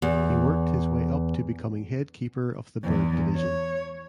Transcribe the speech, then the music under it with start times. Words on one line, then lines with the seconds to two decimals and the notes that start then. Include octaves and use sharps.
He worked his way up to becoming head keeper of the Bird Division.
0.02 E2
2.83 E2
3.36 C#5